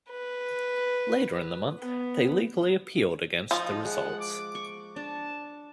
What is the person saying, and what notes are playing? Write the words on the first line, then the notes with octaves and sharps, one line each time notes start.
Later in the month, they legally appealed against the results.
B4
B3
F3 D#4
G#3 F#5
D6
C#6
D4 A5